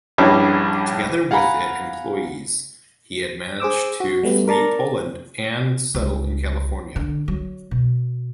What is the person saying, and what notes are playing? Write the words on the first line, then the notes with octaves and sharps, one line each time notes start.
Together with it employees, he managed to flee Poland and settle in California.
A#1 G2 G3 C#4 E4 B5
F5 F#5 G#5 A#5 B5
G#4 C5 D6 E6
F#4
G3 A3 B3
A#4 D5 A5 A#5
C#2
D3
F#3
B2